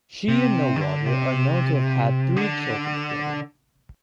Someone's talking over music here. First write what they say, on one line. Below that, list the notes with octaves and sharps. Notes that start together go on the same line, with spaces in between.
She and No Water are known to have had three children together.
C3
D#3
D3
C3
D3